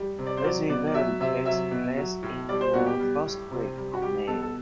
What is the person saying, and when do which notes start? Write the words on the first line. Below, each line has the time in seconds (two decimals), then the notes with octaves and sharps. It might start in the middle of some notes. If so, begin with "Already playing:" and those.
This event takes place in the first week of May.
Already playing: G3
0.19 C3
0.27 D5
0.37 C5
0.44 F#3 D5
0.69 B2 D5
0.87 D5
0.94 F#3 E5
1.20 C3 E5
1.45 F#3 E5
1.71 B2
1.97 F#3
2.23 A2
2.48 G3 D5
2.61 C5
2.74 B2 F#4
2.86 G4
2.99 G3
3.26 A2
3.51 C3
3.77 G3
3.93 F#4
4.02 G3 G4
4.27 B2 A4
4.42 A4